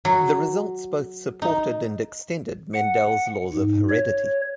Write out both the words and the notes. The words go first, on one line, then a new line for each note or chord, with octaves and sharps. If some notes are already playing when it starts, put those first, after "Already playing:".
The results both supported and extended Mendel's laws of heredity.
F#3
D#4
F#5
G#2
C#5